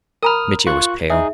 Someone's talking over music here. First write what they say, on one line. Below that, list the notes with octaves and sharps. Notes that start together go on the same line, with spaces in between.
Mitya was pale.
A#4 A#5 B5 D#6 F6
F4 C#6 F#6
D#4 G#4 E5